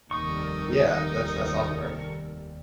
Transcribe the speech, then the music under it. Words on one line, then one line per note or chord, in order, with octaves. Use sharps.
Yeah, that's that's awesome, bro.
F1 D#2 C3 G3 D#4 A4 A#4 C#6